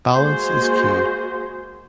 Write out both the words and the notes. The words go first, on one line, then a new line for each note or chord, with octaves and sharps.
Balance is key.
G#3 A#3 F#4 G#4 C5